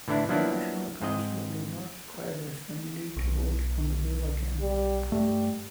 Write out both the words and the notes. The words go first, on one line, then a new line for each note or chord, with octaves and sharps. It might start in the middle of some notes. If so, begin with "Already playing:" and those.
The National Council did not require the Assembly to vote on the bill again.
A2 D3 E3 D4 E4
F3 F#3 A#3 B3 D4 E4
G#2 C4 D#5
B1
G3
G2 G3 A3